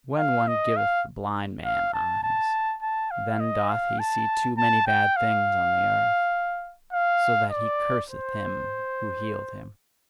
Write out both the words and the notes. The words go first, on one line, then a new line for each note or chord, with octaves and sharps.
And when one giveth the blind man eyes, then doth he see too many bad things on the earth: so that he curseth him who healed him.
F5
D#5
F5
F5
A5
A5
A5
F5
D#5
F5
A5
A5
G5
F5
F5
D5
C5